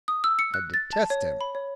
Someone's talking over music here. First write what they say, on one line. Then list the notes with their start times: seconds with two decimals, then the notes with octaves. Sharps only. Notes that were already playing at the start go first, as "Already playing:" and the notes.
I detest him!
0.08 D#6
0.24 E6
0.39 C#7
0.54 F#6
0.74 A6
0.93 A5
1.10 C#5
1.41 B5
1.55 C#5